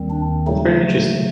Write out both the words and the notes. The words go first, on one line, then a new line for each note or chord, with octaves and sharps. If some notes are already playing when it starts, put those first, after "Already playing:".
That's very interesting.
Already playing: D#2 D#3 G3 C4
D4
C#3 F#3 A3 D#4